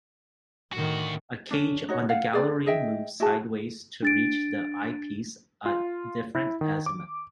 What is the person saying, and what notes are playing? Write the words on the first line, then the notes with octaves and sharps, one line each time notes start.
A cage on the gallery moves sideways to reach the eyepiece at different azimuth.
D2 A2 D#3 F#4
C#4 D4
D#4 F#4 C#5
F5 F#5
G#4 D5
G#4 D#5 E5 G5
E4 F#4 G#4 A5
D4 A6 D7
F4
E4
D#3
D6